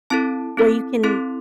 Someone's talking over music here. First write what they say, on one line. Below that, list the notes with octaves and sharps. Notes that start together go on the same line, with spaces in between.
where you can
C4 E4 A4 A5
C4 E4 A4
C4 E4 A4 C6